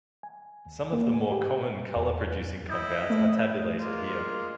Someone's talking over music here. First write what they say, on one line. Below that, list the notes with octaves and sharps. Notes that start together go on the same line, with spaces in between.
Some of the more common color-producing compounds are tabulated here.
G#5
D#2
A#3
G#5
G4
E2
E4 D#5 D#6 G6
A3
G#3 A#3 F4